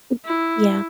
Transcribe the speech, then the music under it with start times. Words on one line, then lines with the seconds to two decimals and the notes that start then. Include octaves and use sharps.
M Yeah.
0.24 E4